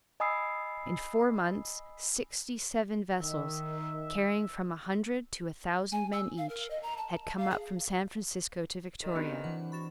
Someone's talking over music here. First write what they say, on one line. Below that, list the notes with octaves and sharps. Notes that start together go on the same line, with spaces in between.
In four months sixty-seven vessels, carrying from a hundred to a thousand men each, had come up from San Francisco to Victoria.
D#5 G#5 B5 D#6 E6 C7
D#3 E5
G#5
E6
F5
A#4
D#5
A#5
A5
F5
G#4
D#3 A4
B3 C4 D4 F#4 G4 B4
E3 F#5
F#4 B5 A6 E7